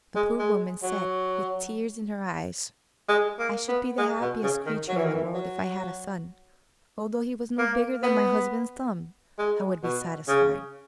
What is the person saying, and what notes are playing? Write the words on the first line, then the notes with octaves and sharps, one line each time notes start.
The poor woman said, with tears in her eyes: "I should be the happiest creature in the world if I had a son; although he was no bigger than my husband's thumb, I would be satisfied."
G#3
G#3
F#3
G#3
A#3
B3
G#3
B2
C#3
D#3
F#3
E3
D#3
E3
F#3
A#3
B3
G#3
B2
C#3